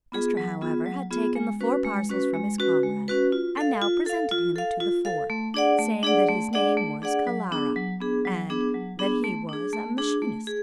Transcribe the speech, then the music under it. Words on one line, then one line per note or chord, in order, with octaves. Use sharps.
Estra, however, had taken the four parcels from his comrade, and now presented him to the four, saying that his name was Kalara, and that he was a machinist.
B3 F4 G#4
F#3
B3 F4 G#4
F#3
B3 F4 G#4
G#3
C#4 F#4 B4
G#3
C#4 F#4 B4
G#3
C#4 F#4 B4
G#3
C#4 F#4 B4
F4
A4 F5
F4
A4 F5
F4
A4 F5
F4
A4 F5
A3
D4 G#4 D5 F#5
A3
D4 G#4 D5 F#5
A3
D4 G#4 D5 F#5
A3
D4 G#4 D5 F#5
F#3
B3 D4 G#4
F#3
B3 D4 G#4
F#3
B3 D4 G#4
F#3
B3 D4 G#4
A3
D4 G#4
A3
D4 G#4
A3
G#4